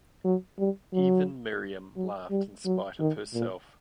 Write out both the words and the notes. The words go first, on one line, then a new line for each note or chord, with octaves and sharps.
Even Miriam laughed in spite of herself.
F#3
G3
F#3
F#3
G3
F#3
D#3
A#2